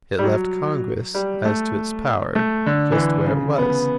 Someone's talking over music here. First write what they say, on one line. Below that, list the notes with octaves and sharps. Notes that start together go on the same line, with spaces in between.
It left Congress, as to its power, just where it was.
G3
F#3
G3
A3
A3
D3
E3
D3
C#3
B3